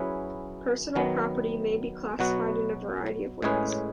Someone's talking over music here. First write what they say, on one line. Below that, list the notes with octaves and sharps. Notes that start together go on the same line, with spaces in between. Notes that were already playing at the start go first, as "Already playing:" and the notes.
Personal property may be classified in a variety of ways.
Already playing: F#3 C#4 E4 G#4 B4
D#3 F#3 B3
B2 F#3 B3 F#4 B4
A2 G#3 C#4 G#4 B4